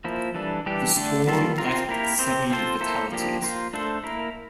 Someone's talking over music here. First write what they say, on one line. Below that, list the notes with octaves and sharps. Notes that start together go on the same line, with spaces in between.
The storm left seven fatalities.
F3 A#3 E4
E3 G3 D4 A4
E3 G3 D4 G4
D3 A3 D4
E3 G3 A#3 F4 A4
C4 F4 A#4
A#3 E4 G4 A#4
C4 G4 C5
C4 F4 A4 C5
A#3 E4 A4 C5
F3 A#3 D4 G4
A#3 F4 C5
A3 D4 A4 C5
A#3 E4 A#4